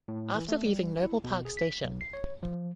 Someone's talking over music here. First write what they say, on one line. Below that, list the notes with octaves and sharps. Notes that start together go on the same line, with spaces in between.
After leaving Noble Park Station.
A2
E3
A3
G3
E4
B2
G#4
B6
B1
C7
C#5
F3